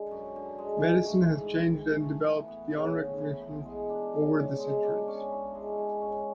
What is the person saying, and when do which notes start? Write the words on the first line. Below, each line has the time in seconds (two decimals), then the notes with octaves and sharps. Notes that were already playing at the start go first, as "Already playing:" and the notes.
Medicine has changed and developed beyond recognition over the centuries.
Already playing: D3 G#3
0.11 F#2
0.36 D3
0.58 G#3
0.83 E3
1.06 A3
1.30 G#2
1.53 G#2
1.77 E3
2.00 A3
2.24 E3
2.48 B3
2.71 C#3
2.96 C#3
3.18 E3
3.42 B3
3.65 G#3
3.90 D4
4.13 C#3
4.36 C#3
4.60 G#3
4.84 D4
5.08 C#4
5.32 E4
5.55 G#3
5.78 G#3
6.02 C#4